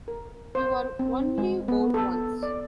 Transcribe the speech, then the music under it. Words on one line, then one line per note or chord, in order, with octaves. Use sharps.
You're Only Old Once!
A#4
C5
C4
G#3
B3
A4
D5